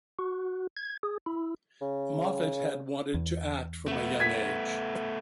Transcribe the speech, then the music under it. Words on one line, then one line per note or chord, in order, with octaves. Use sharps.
Moffatt had wanted to act from a young age.
F#4
G#6
G#4
E4
C#3
E2
A3 B3
G#6 B6